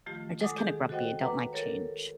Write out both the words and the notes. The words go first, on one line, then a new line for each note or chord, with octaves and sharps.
are just kinda grumpy and don't like change.
D#3 F3 A3 F4 G4
G#3 A4 F#5 D6 D#6
D#3 G4 G#4
F#4 A4 C5 D#5 F#5 G5
B4 F#5 A#5 D6
A4 A#4 C#5